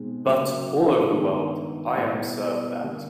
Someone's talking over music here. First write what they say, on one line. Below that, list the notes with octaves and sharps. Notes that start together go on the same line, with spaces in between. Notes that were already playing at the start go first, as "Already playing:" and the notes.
But, all over the world, I am served that.
Already playing: B2 G#3 C4 D#4
C#3 F#3 A#3
G2 D#3 G#3 B3 D#4
B2 G3 B3 E4 G#4
D3 G3 A#3